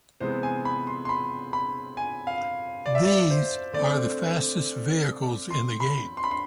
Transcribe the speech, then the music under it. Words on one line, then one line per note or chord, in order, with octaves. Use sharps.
These are the fastest vehicles in the game.
C3 E3 G#3 B3 C5
G#5
B5
C6
C6
B5
B5
G#5
F5
D5
E5
D5
C5
D3 A3 C4 D5
C6
B5
C6
B5
C6